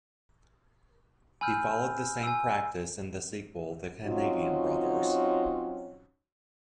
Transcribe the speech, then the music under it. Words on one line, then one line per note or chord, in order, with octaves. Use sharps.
He followed the same practice in the sequel, "The Canadian Brothers".
G#5 B5 E6 F6 G6
G#5 E6
F#3 C4 C#4 D#4 F4 F#4